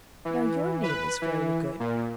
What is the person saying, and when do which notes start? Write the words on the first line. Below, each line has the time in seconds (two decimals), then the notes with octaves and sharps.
Now, your name is fairly good.
0.25 E3
0.83 B4
1.22 E3
1.80 A#2